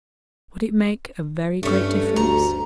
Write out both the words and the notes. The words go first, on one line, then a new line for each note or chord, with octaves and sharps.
Would it make a very great difference?
G2 A3 C#4
D2 A#5